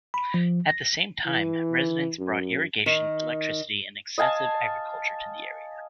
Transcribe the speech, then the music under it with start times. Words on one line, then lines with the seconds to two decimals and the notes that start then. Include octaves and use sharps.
At the same time residents brought irrigation, electricity, and extensive agriculture to the area.
0.14 B5
0.34 F3
0.69 A#6
1.26 E3
2.19 F#2
2.86 D#3
4.18 D#5 F5 G#5 A5